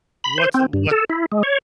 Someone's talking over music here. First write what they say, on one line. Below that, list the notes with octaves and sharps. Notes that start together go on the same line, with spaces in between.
What's, uh what
B5
C5
C4
G2
A4
E4
G#3
C#5